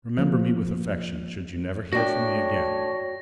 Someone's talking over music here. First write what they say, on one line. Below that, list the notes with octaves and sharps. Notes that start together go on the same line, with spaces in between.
Remember me with affection, should you never hear from me again.
F3 A#3
A3 D4 F#4 C#5 G5 A#6